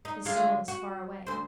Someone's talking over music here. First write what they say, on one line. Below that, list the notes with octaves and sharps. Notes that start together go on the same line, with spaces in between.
His soul is far away.
D#4
D3 G#3 F4
F#4
D2 C5